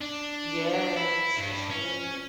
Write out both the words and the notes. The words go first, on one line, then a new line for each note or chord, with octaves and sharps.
Yes, that's good.
D4
E4
G2
C#4